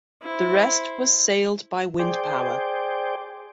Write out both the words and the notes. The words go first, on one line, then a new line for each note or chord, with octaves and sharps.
The rest was sailed by wind power.
E4 C5
G#4 C5 D5 G5